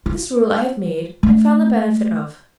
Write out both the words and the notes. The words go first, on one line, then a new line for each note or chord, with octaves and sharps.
This rule I have made, and found the benefit of.
F4
A3